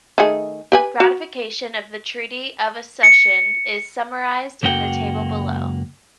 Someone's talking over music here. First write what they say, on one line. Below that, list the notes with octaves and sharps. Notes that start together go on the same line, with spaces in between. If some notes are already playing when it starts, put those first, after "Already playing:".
Ratification of the Treaty of Accession is summarized in the table below.
D#3 A3 G#4
G4 B4 G#5
F#4
C#7
C#2 F#2 A#3 F#4 G5